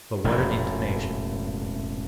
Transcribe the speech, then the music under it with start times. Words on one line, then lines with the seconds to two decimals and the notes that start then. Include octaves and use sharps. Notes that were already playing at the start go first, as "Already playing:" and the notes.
But what an intonation!
0.24 E1 A1 F2 G#2